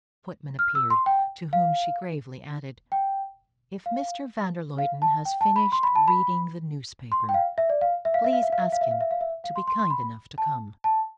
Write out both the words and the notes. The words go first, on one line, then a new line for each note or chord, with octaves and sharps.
A footman appeared, to whom she gravely added: "If Mr. van der Luyden has finished reading the newspaper, please ask him to be kind enough to come."
F6
E6
C6
G5
F5
G5
F5
F5
A5
G5
A5
B5
C6
B5
A5
B5
C6
G5
F5
E5
D5
F5
E5
F5
E5
F5
E5
F5
E5
F5
E5
F5
E5
F5
E5
F5
C6
C6
C6
B5
A5
A5